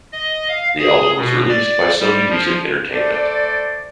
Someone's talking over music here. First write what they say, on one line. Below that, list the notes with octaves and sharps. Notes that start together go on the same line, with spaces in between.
The album was released by Sony Music Entertainment.
D#5
F5
G#4
B2
D5
G3
F3
A3 C5 D5